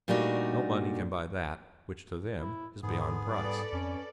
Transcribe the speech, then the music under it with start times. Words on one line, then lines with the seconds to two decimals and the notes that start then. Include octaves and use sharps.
No money can buy that which to them is beyond price.
0.08 A#2 G3 A3 D4 D#4 F#4
2.39 E4
2.83 G#2 D3 B3 G#4
3.29 G3 A4 B4 D5
3.73 F2 C#4